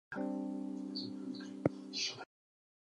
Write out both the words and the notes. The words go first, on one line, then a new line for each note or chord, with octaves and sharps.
Scott initially committed to play college baseball at Arizona.
G3 C4 D4